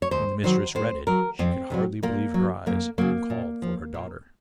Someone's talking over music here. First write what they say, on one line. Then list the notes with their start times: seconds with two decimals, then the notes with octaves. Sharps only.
When the mistress read it she could hardly believe her eyes and called for her daughter.
0.02 C#5
0.11 D#2 C5
0.44 D#3 F#3 C5
0.75 A2 C5
1.07 F#3 A#4
1.39 F2 C4
1.70 C3 D#3 F#3
2.03 A#2 A#3
2.34 F#3
2.66 F#2 A#3
2.98 C#3 F#3 A#3
3.30 A#2
3.62 F3
3.94 A#2